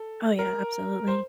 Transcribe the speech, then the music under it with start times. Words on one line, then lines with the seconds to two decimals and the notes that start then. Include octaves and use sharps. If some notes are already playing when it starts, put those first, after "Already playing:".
Oh, yeah, absolutely.
Already playing: A4
0.39 A#4
1.08 C5